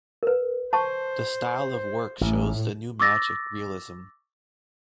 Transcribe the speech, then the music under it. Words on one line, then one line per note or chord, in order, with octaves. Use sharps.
The style of the work shows the new magic realism.
A#4 B4
C5 A5 C#6
A1 A2
C#6 D6 E6 A6 A#6